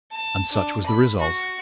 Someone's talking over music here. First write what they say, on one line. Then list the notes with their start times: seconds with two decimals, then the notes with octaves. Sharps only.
And such was the result.
0.11 A5
0.52 D4
0.85 B5
1.20 F#4